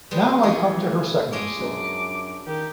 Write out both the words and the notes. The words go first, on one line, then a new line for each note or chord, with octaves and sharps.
Now I come to her second mistake.
G3 G#3 B4
B2 E3 F3 G#4 C#5 G#5
A3
G#3 C#4 D6
F#2 D4
D#3 G4